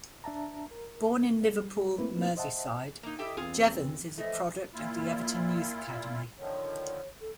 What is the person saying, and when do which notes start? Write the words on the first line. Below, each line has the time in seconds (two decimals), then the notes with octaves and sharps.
Born in Liverpool, Merseyside, Jevons is a product of the Everton youth academy.
0.24 D4 E5 A5 A#5
0.71 A#4
1.53 G3
1.98 A3 A#3 C4 E4 B4
2.37 C5 D#5 E5 F#5 A5
3.03 A#3 D#4
3.19 E4 G4 A4 D#5 E5 G5
3.37 E2 E3 C4 F4 G#4
4.18 E3 F3 A3 D#5
4.74 A#2 A#3 E4 F4
6.39 D3 D#3 F3 C#5
7.21 A4